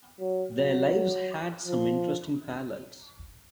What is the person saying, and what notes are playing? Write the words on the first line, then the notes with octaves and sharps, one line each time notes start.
Their lives had some interesting parallels.
F#3
F#3
F3